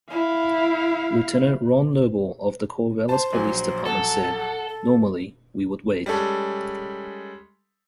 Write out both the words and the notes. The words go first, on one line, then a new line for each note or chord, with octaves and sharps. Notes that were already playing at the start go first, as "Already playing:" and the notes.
Lieutenant Ron Noble of the Corvallis Police Department said, Normally, we would wait.
E4 F5
C5 A5
A#1 F#3 G#5
A4 F#5
A4
G3 G#3 C#4 A4